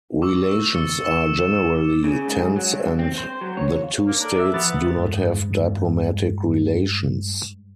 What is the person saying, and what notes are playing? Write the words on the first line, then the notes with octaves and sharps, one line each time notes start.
Relations are generally tense and the two states do not have diplomatic relations.
C#6 D6 E6
E6
E6 A6 C#7 G7
E6 E7
C#3
G#2
F#3
G2
C4
C5
F#3
C#5
F5
A#3
D4 A4 A#5
E5
F3 B3 B4 A6
G2 G#3